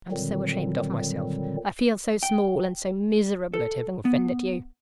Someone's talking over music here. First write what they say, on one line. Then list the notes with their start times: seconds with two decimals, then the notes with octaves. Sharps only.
I am so ashamed of myself--I feel so small and so miserable at having offended you.
0.12 A#2 D3 D#3 F#3 G3 C4
2.23 G5
3.54 A4
4.05 B3